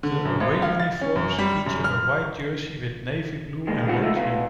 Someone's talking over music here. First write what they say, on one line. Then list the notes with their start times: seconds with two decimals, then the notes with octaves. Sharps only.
The away uniforms feature a white jersey with navy blue and red trim.
0.03 D3
0.25 F#2
0.40 G#1
0.62 F5
0.80 A6
1.01 C#4
1.16 F#2
1.38 G3
1.66 F#2
1.84 F6
3.67 D#3 G#3 A#3
3.85 G#3 B3 C4 F4 F#4
4.01 F3 A3 D#4
4.16 B2 B4 F5